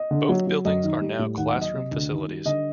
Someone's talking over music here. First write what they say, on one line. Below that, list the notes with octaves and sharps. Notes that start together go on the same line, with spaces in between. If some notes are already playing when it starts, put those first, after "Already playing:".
Both buildings are now classroom facilities.
Already playing: D#5
D3
F#3
F#3
F#2 D#5
D#3
G3
A2
D#2 F#5
F#5
F#3
D#5
C3
D2
D#3
G3
D3 D#5